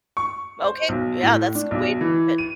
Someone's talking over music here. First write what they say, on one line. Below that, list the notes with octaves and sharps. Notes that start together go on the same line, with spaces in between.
Okay, yeah. That's a good way to keep it.
C#6
C5
B1
A2
D4
B1
E3
D#7